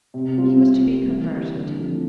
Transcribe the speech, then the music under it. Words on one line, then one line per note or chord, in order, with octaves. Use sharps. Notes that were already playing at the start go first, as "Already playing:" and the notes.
He was to be converted.
C3
G3 C4 F4
C3
G3 C4
E3
G3 A#3 E4
D3
F3 A3 C4 E4